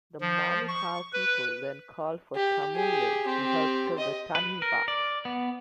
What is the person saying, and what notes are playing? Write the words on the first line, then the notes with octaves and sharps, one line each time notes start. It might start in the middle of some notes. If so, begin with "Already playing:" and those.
The Manukau people then called for Tamure to help kill the taniwha.
F3
C#6
B4
G4
G4 G#4
C4 G4
D#5
B4
A#4
D5
B3